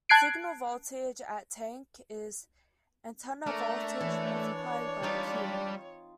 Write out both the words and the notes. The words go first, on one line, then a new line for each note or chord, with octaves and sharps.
Signal voltage at tank is antenna voltage multiplied by "Q".
A5 F#6 G#6 C7 D7
A3 D4 A#4 D5 A#5
E3 C#5
G3 C4 D#4 F4